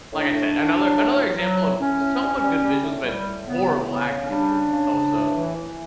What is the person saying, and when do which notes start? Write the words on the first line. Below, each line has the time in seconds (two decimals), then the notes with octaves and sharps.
like I said, another another example of somewhat good visuals but horrible acting and it's also
0.12 A2 D4
0.33 A2
0.54 A2
0.75 F#3
0.95 A2
1.16 F#3
1.37 F#3
1.59 A2
1.79 A2 C#4
2.00 A2
2.21 G3
2.42 G3
2.62 G3
2.83 A2
3.04 G3
3.25 A2
3.45 C#3 B3
3.67 E3
3.88 C#3 B3
4.08 C#3
4.24 C#4
4.29 G3 D4
4.51 C#3
4.71 C#3
4.92 C#3
5.13 A2
5.34 E3
5.55 E3